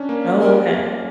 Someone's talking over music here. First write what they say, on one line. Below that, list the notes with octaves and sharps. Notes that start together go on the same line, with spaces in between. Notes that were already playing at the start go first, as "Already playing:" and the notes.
Oh, okay.
Already playing: C#4 D4
A#3
A#4